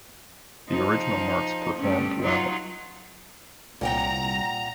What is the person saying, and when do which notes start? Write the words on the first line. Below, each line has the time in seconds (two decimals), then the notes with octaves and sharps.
The original marks performed well.
0.68 F3 D#4
1.78 G2 A3 C#4
2.22 F#3 D#4 F4
3.81 C2 A#2 F#5 G5 A#5